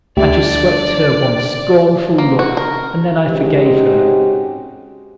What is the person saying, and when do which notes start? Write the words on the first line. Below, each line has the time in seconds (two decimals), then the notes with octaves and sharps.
I just swept her one scornful look and then I forgave her.
0.17 D2 D3 G3 D5 E5
2.18 A#3
2.39 F#4
2.57 A#4
3.25 G#3 C4 C#4 D#4 F#4 G4